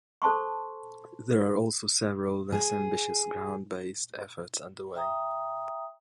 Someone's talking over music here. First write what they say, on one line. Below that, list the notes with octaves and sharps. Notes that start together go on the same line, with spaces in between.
There are also several less ambitious ground-based efforts underway.
A4 C5 A5 C6 C#6
G#4
E5 G5 A#5 D#6